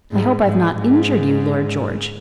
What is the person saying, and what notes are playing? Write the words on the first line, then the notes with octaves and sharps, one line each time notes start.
"I hope I have not injured you, Lord George."
G#2
G#2
G#2